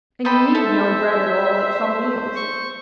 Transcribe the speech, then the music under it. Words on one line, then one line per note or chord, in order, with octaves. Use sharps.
And you need no bread at all at some meals.
A4 C5 D#5 G5 B5
A4 E5
C#6